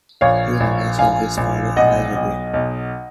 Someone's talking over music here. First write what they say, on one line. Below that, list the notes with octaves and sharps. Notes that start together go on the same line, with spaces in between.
He never saw his father alive again.
A#1 C#5 F5
A#1
A#1 F5 G#5
A#1
B1 D#5 F#5
B1
B1